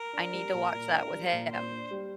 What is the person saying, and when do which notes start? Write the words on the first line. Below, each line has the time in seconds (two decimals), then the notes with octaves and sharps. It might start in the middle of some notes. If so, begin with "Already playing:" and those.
I need to watch that with him.
Already playing: A#4
0.13 D4
0.33 G3
0.53 A#2
0.73 A#2
0.92 D4
1.12 G3
1.32 A#2
1.52 A#2 C5
1.72 D4
1.91 G3